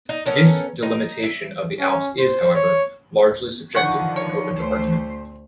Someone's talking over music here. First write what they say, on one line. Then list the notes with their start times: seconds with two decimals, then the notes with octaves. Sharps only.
This delimitation of the Alps is, however, largely subjective and open to argument.
0.09 D#4
0.26 B3 C#4 A4 A#4
0.83 D#4
1.23 E5
1.80 C#4
2.19 C5
2.55 C#5
3.75 D3 D#3 F3 F#5 C#6 G6
4.16 C#5
4.55 D2 A3 C5